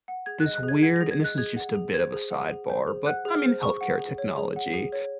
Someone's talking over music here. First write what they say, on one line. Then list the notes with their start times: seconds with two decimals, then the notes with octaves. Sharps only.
this weird and this is just a bit of a sidebar, but, I mean, health care technology,
0.08 F#5
0.26 G#4 G#6
0.40 F#6
0.46 D#5
0.55 F#6
0.63 G#4
0.68 G#6
0.82 F#5 G#6
0.96 A#6
1.01 G#4
1.11 G#6
1.20 D#5 F#6
1.38 G#4 G#6
1.56 F#5
1.75 G#4
1.94 C5 G#6
2.13 G#4
2.31 F#5
2.51 G#4
2.70 C5
2.87 G#4
3.06 F#5 F#6
3.25 G#4
3.35 F6
3.44 C5
3.62 G#4 C#6
3.81 F#5
3.99 G#4
4.18 C#5
4.37 G#4
4.56 F#5
4.74 G#4
4.92 C#5